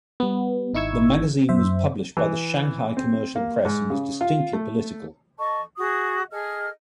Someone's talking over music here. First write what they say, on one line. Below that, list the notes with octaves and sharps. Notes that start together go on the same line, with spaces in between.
The magazine was published by the Shanghai Commercial Press and was distinctly political.
G3 B3
G#1 D#4 E4 C#6 E6 G#6
F#2 C5 E5
E3
C4
A#3
G#2
C#3
F4
A3
A4 D#5 A5 C#6
F#4 G#4 D#6
G#4 A4 D#5 F6